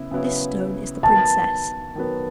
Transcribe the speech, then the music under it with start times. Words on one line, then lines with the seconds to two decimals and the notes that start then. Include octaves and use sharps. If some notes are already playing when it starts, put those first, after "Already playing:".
This stone is the princess.
Already playing: C#3 B3 E4
0.11 C#3 F#3 B3 E4
1.03 D#3 F#3 B3 A5
1.95 D#3 F#3 B3